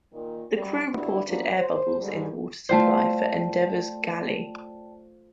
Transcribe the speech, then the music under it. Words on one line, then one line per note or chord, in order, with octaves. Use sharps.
The crew reported air bubbles in the water supply for "Endeavour"'s galley.
A#2 D#3
F#2 G3
G2 D3 G3 D4 E4 F#4
F3 F#3 A#3 B3 C#4 D4
C5
G#2 D3 G3
A3 F4 C5 D5 G5 A5